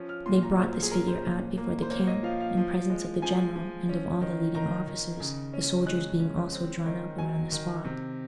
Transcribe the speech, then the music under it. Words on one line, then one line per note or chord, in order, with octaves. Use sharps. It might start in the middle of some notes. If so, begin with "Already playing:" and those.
They brought this figure out before the camp, in presence of the general and of all the leading officers, the soldiers being also drawn up around the spot.
Already playing: F3 C#4
F6
A#2 C6
A#5
F#3 C5
G#4
C#4 A#4
C5
A#2
A#3
C5
A#3 C#5
D#5
F3 F5
F5
F3
G#3
F3 G#5
F3
C#4
D#3
D#3 A#5
D#3
C#3
C#4
G#3 F#6
C#4
C4
D#3
F#3 G#5
D#3
C3